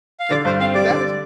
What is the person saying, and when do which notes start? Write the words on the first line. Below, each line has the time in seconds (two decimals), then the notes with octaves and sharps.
Like, 'cause that is m
0.20 F5
0.31 D3 D5
0.45 G2 C5
0.60 C4 F5
0.75 G3 D5
0.90 D3